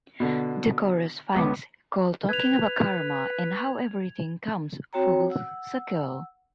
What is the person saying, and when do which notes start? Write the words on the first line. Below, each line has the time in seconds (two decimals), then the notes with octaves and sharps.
The chorus finds Cole talking about karma and how "everything comes full circle".
0.20 B2 D3
1.35 C#2 B3 D6
2.29 B4 G#6 F7
4.93 C4 F#4 C#5 G5 A#5
5.30 F#5 E6